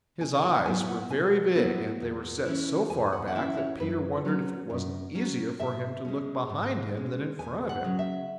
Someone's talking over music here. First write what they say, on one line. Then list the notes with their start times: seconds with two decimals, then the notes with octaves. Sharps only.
His eyes were very big and they were set so far back that Peter wondered if it wasn't easier for him to look behind him than in front of him.
0.21 B2 G#5
0.43 F#5
0.65 F#3 B3 E4 G#5
0.88 F#5
1.10 B2 G#5
1.55 F#3 B3 E4
2.00 E2
2.45 E3 C#4 E4
2.90 E2 G#5
3.13 F#5
3.28 F#5
3.35 E3 C#4 E4 E5
3.57 C#5
3.80 F#2 B4
4.25 F#3 C#4
4.70 F#2
5.15 F#3 C#4
5.59 G#2 E5
6.05 G#3 C#4
6.50 G#2
6.94 G#3 C#4
7.39 E2 G#5
7.69 F#5
7.84 C#3 F#3
7.99 E5